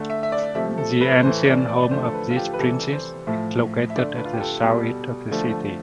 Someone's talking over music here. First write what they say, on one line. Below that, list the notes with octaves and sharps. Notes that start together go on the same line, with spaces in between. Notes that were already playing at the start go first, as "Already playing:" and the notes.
The ancient home of these princes is located at the south-east of the city.
Already playing: D3 A3
E5
E5
D5
C3 F3 A3 E5
A4
B4
A2 E3 A3 C5
D5
D5
D5
D3 F3 A3 C5
A4
B4
F4
G4
B4
C3 E3 G3 A4
C5
A2 F3 A3 E5
E5
D3 A3 D5
B4
F4
G4
A4
B2 G3
D3 F3 A3